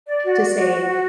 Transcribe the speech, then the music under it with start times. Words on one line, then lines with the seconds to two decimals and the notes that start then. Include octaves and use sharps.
to say,
0.08 D5
0.24 F#4
0.40 F#4
0.55 F#4
0.71 F#4
0.86 F#4